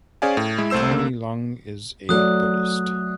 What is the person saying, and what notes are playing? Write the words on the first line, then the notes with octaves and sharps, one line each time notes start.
Tony Leung is a Buddhist.
C#4 G#4 C5 D5 F5 G#5
A2
G#3 E4
C2 A3 C5 E6 E7
D3 A#3
F#3 A3 D5 D#6 F#6